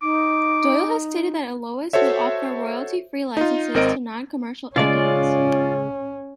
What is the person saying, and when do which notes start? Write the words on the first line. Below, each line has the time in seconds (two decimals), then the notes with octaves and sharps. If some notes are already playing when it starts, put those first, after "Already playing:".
Doyle has stated that Eolas would offer royalty-free licenses to non-commercial entities.
0.02 D#4 D6
1.93 F#4 A4 C5 C#5 E5
3.37 D#4 F4
3.74 G#1 C4 A#4 D#5 D7
4.76 C#3 G#3 C#4 F4 D5